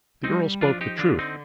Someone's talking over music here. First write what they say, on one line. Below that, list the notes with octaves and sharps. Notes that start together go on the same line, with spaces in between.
The earl spoke the truth.
G3 C4 D#4
F3 D4 F4
D#4 G4
D3 D4 F4
C4 D#4